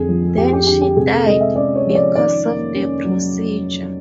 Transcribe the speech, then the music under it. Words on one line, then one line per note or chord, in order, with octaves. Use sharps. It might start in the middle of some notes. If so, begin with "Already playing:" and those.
Then she died because of the procedure.
Already playing: F2 D3 G#4
F3
F2 G4
G4
D3 G4
G4
C3 G#4
A4
G#3 D#5
E5
C#4 D5
C#5
F3 C#5
D5
D#3 D5
A#3
C#4
F#3